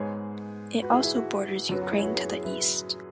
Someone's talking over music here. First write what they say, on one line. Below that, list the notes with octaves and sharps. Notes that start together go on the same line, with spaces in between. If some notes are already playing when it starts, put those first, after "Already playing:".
It also borders Ukraine to the east.
Already playing: G#2 G#3 B3 G#4 C#5
F#4 B4
E4 G#4
E4 G#4
F#4
F#2 F#3 B3 F#4
F#4
E4 G#4
C#5
F#4 B4
G#4 C#5
G#4 C#5
B4 E5